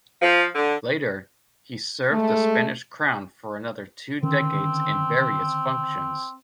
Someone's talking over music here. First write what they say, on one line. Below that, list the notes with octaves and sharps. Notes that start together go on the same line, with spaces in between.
Later, he served the Spanish crown for another two decades in various functions.
F3
D3
G#3 A3
D3 D#3 C4 C#4